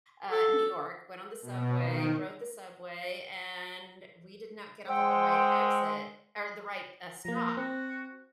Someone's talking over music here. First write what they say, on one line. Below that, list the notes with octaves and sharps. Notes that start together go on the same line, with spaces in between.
uh, New York, went on the subway, rode the subway, and we did not get off at the right exit er, the right, uh, stop
A4
B2
D#3
G#3 C5 F#5 G5 E6
F3 A#3 A#5
C4 F#4